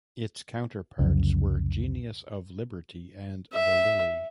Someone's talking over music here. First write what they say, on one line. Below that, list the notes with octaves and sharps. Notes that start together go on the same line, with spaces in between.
Its counterparts were "Genius of Liberty" and the "Lily".
C2 F2 C#3 F#3
E5